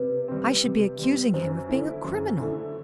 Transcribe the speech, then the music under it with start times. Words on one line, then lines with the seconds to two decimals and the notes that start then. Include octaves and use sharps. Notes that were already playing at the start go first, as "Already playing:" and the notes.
I should be accusing him of being a criminal.
Already playing: C3 B4
0.28 G3 C4
0.64 C3
0.99 G3 C4
1.34 F#2 C5
1.69 D3 A3 E4
2.05 F#2
2.40 D3 A3 E4